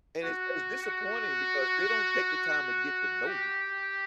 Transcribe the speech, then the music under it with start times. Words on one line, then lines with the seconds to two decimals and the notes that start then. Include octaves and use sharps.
And it's it's disappointing because they don't take the time to get to know you.
0.23 F#4
0.83 F#4
3.27 G4